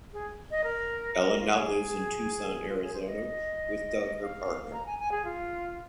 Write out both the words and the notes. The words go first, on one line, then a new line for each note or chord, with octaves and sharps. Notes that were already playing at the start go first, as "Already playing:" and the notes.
Ellen now lives in Tucson, Arizona with Doug, her partner.
G#4
D#5
A#4
A#4
A#4
F4
G#4
F4
G#4
C5
D#5
F5
A#5
G#5
G#5
G#4
F4